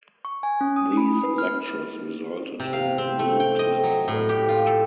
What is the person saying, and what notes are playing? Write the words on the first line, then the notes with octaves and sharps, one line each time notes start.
These lectures resulted in the "Blue Cliff Record".
C#6
G#5
C#4
D#6
B5
B4
F6
C3
F5
C4
A3
G5
D#5
F#3
A2
G4
F4
A4